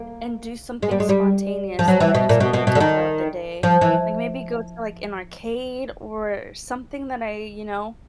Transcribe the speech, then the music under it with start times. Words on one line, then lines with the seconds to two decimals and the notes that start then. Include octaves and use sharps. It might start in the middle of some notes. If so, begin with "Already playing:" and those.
and do something spontaneous that I just wouldn't do throughout the day, like, maybe go to, like, an arcade or something that I, you know,
Already playing: A#3
0.83 G#3
0.91 G3
1.00 G#3
1.09 G3
1.79 F3
1.88 F#3
2.00 E3
2.15 B2
2.29 A#2
2.40 B2
2.53 B2
2.67 B2
2.75 D3
2.80 D#3
3.63 F3
3.81 E3